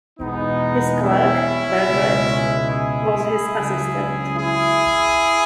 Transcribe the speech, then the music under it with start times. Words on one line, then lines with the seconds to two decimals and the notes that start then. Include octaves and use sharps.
His clerk, Bergeret, was his assistant.
0.19 E2 B2 G#3 B3 D#4
1.03 C#4 E4
1.87 C#2 B2 G#3
2.70 E4 G#4
3.54 C#2 C#3 F#3
4.37 E4 G#4